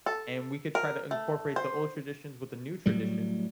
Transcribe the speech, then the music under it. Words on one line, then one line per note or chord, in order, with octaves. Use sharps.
and we could try to incorporate the old traditions with the new tradition,
A4
A#4
A3
C5
A2 F#3 G3